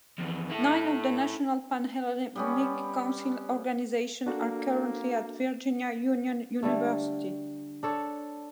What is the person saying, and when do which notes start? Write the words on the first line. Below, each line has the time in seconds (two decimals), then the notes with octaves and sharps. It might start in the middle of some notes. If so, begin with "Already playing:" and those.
Nine of the National Pan-Hellenic Council organizations are currently at Virginia Union University.
0.18 F2 E3
0.49 E4 A4
2.36 G3 B3 C#4
4.26 A#3 D4 F#4 A4
6.63 D3 G3 A3
7.83 D4 A4 C#5